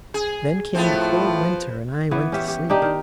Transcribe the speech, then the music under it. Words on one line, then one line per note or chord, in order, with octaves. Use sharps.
Then came the cold winter, and I went to sleep.
G#4
A2 F3 B3 C4
E3 B3
C#4 G4 E5
G4
D4 D#4 G4
D#3